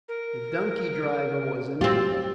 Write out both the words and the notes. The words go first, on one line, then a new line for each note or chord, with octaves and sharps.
The donkey-driver was a negro.
A#4
C4 F4 G4